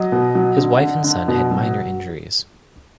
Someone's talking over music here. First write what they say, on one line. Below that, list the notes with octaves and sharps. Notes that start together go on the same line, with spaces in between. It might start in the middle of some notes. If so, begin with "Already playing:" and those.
His wife and son had minor injuries.
Already playing: F#3 D#5
B2
F#3
D3
D3
D3
B2
F#3